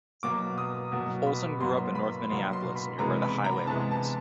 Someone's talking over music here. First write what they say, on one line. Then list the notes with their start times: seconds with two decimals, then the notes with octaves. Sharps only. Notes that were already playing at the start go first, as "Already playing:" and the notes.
Olson grew up in North Minneapolis, near where the highway runs.
0.23 B2 F#3 A#3 D6
0.58 D#6
0.92 B2 F#3 A#3
1.27 B5
1.61 B2 F#3 A#3 C6
1.95 B5
2.30 B2 F#3 A#3 C6
2.53 C6
2.76 B5
2.98 C3 E3 G#3 B3 A#5
3.22 B5
3.44 A#5
3.67 C3 E3 G#3 B3 A5
3.91 A5